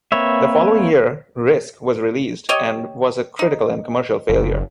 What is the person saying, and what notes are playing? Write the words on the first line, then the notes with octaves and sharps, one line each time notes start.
The following year, "Risk" was released, and was a critical and commercial failure.
A#3 C4 B4 C#5 E5
G4 C#5 D#5
D#4
F#1